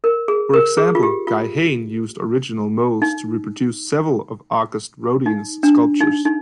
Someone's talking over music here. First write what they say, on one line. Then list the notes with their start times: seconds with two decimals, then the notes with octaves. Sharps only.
For example, Guy Hain used original molds to reproduce several of Auguste Rodin's sculptures.
0.04 A#4
0.28 G#4
0.54 A#4
0.77 G#4
0.95 F4
1.03 G4
1.27 F4
3.02 D#4
5.26 D#4
5.63 D4
6.00 D#4
6.25 D#4